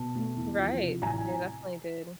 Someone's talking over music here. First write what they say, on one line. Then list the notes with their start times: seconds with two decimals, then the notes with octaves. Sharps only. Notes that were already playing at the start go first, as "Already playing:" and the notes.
Right. They definitely did.
Already playing: B2 A5
0.15 A3
0.37 E2
0.59 F3
0.81 C3
1.02 A1 G#5 A#5